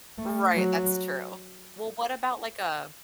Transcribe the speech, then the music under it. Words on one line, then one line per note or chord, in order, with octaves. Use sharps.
Right, that's true. Well, what about, like, a
A3
F#3